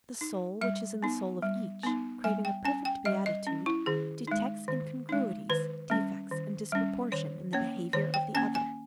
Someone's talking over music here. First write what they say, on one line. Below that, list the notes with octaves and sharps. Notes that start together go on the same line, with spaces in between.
The soul which is in the soul of each, craving a perfect beatitude, detects incongruities, defects and disproportion in the behavior of the other.
D#4
G3 E5
B3 D#4
G3
B3 D#4
G3 G#5
G5
C#4 G#5
G5
G3 D#5
D#5
C#4
E4
D#3 G#4
G#3 D#4
D#3
G#3 D#4
D#3 B4
G3 C#4
D#3
G3 C#4
D#3 C#5
A#3 C#4 C#5
D#3 C#5
G5
A#3 C#4 G#5
G#5